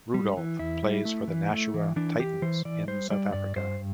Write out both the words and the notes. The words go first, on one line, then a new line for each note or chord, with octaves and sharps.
Rudolph plays for the Nashua Titans in South Africa.
G3
E3
E2 E4
G3
A3
E3
A3
E3
E3 D4
E3 G4
E3 C5
E3 D5
G3 C5
G3 D5
G2 D5
G2 C5